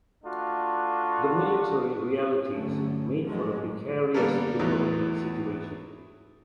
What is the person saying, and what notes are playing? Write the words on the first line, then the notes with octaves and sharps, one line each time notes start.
The military realities made for a precarious diplomatic situation.
A3 D4 F4 F#4
G2 D3 F#3 A3 C#4
G#2 F3 F#3 G#3 A3
D3 G3 A#3 B3 A4 A#4
E2 A2 F#3 B3 D#4